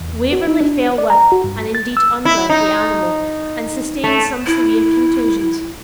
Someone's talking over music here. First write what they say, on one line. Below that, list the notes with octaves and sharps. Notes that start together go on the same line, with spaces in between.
Waverley fell with, and indeed under, the animal, and sustained some severe contusions.
E2
F#4
D#4
D4
D5
A#5
F#4
G2
A6
E6
E4
D#4
A3
E4